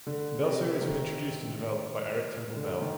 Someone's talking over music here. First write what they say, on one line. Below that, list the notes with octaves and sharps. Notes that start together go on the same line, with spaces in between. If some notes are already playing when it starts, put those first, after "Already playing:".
Bell series were introduced and developed by Eric Temple Bell.
D3
C3
D#3
D3
D#3